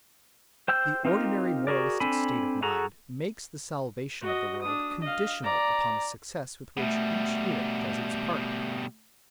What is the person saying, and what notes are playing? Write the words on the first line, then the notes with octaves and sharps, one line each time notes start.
The ordinary moralistic state of mind makes the salvation of the world conditional upon the success with which each unit does its part.
C5 G5 E6 G6
C4 D#4 F4 G4 A#4
F#4 G#4 A#4 D5
C4 D4 A4 G#5 B5
F#4 G#4 A4 A#5
F#4 D#5
D4 D#6
D#5 F5
D5 A#5
B2 G3 A3 E5